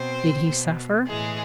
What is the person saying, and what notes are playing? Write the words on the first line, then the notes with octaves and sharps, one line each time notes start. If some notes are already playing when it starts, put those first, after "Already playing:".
Did he suffer?
Already playing: B2 C4 C5
B2
A2 E3 G#3 G#4